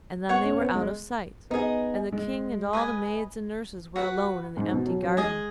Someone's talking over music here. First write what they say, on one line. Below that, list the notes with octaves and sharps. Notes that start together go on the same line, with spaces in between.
And then they were out of sight, and the King and all the maids and nurses were alone in the empty garden.
B3 C#5 F#5 C#6
C#4
B3
G#3
B3 D#4 G#4 D#5
G#3
B4 D#5 G#5
F#4 B4 F#5
G#2
B2
F#3
F#3
G#3 G#4 D#5 G#5